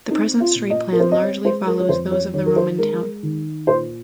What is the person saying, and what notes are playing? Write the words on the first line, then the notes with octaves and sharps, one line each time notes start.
The present street plan largely follows those of the Roman town.
C4 D#4
F4
A#2
D#5
A#4
C4 C5
D#5
C#5
G#3 C5
A#4
C#5
F2 C5
C#5
D#3 C#5
A#4
C5
G#3 A#4
D#3
A#2 C5